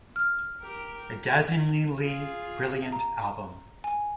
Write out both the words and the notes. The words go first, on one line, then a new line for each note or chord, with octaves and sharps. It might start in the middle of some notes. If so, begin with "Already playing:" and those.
A dazzlingly brilliant album.
F6
G4 A#4
F4 G#4
A#5
G#5